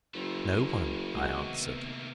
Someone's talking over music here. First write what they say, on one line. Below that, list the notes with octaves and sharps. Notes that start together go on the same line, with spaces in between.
"No one," I answered.
F#1 A3 A#3
C3 D#3 G#3 B3 F#4